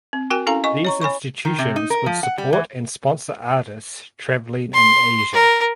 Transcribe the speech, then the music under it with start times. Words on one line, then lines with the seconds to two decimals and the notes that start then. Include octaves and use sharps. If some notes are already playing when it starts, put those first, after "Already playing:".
These institutions would support and sponsor artists travelling in Asia.
0.13 C4
0.30 F#4 A#4 G5 G#5
0.46 C#4 E4 A4 F5 G#5 A#5
0.64 D#5 G#5 C#6
0.85 C#5 A#5 C#6
1.02 C#5 G#5 B5 C#6
1.45 D#3
1.59 C3
1.76 D#4
1.90 A#4
2.06 F3
2.23 F#5
2.38 G3
2.53 E3
4.74 C6
5.33 A#4